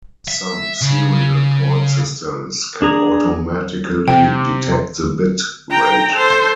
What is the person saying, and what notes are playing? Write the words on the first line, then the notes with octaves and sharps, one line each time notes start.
Some serial port systems can automatically detect the bit rate.
E5
C#3
D4 G#4 A#5
C3 G5
G5 A#5
A4 C5